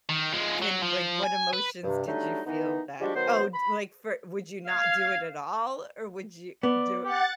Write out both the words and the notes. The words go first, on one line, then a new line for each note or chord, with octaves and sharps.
can like, what emotions did you feel that Oh d like, for would you not do it at all, or would you do
D#3
F3 G#3
F#3
F3
G#5
B4
G2 C3
F#3 G3 A3 D4 D#4
D#3 E3 B3 D#4
F3 G3 G#3 D4 F#4 G4
D#3 F#3 B3 C5
B5
F5 G#6
B3 D5
G4 F#5 F#6 A6